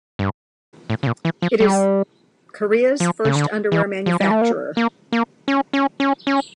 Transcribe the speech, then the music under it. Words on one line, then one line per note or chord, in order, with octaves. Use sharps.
It is Korea's first underwear manufacturer.
G2
A2
C#3
A#2
E3
F3
G3
F3
C#3
D3
E3
F3
G3
A3
A#3
A#3
A#3
C#4
C#4
C#4
C#4